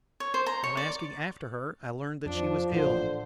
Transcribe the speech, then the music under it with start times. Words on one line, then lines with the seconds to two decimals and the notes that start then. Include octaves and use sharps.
On asking after her I learned that she was ill.
0.20 C#5
0.34 C5
0.46 A#5
0.64 C#5
0.77 D5
2.26 F2 F3 D4
2.72 A1 A#2 D3 C5